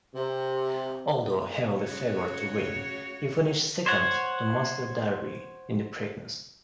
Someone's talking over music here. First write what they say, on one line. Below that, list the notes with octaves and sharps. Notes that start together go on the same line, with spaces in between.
Although heavily favored to win, he finished second to Master Derby in the Preakness.
C3
C#3 F#4 C#5
C5 C#5 F#5